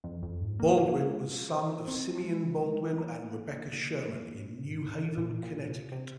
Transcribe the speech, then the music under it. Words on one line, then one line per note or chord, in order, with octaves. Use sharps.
Baldwin was son of Simeon Baldwin and Rebecca Sherman in New Haven, Connecticut.
F2
F2
G#2
A#3
A#3
G#3
F3
C4
C4
G#3
F3
G#3
F3
C4
A#3
G#2
A#2
G#2
A#2
A#2
A#2
C3
C3